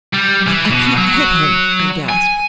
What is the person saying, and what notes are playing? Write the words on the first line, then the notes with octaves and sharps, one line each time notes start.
"I can't hit him," I gasped.
G3
E3
B2
F#3
G#5